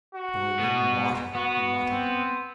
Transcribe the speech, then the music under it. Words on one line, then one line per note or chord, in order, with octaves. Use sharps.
"Boiling water!" he muttered.
F#4
B2 B3
B3 F#4
C4